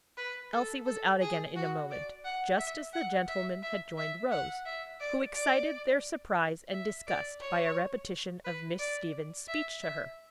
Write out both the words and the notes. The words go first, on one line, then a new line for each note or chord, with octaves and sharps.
Elsie was out again in a moment, just as the gentlemen had joined Rose, who excited their surprise and disgust by a repetition of Miss Stevens' speech to her.
B4
A4
A4
G#4
F#4
D5
F#5
E5
F#5
E5
E5
E5
F#5
E5
D5
D5
E5
D5
C#5
B4
D5
E5
E5